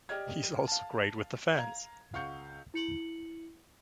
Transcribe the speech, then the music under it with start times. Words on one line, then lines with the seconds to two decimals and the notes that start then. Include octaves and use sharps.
He's also great with the fans.
0.09 G4 D5 D#5 F6 G#6
0.68 F5 A5
1.55 F5 A#5 G#6
2.13 C#2 F5 F#5 C#6 G6 C#7
2.74 E4 C#7 F#7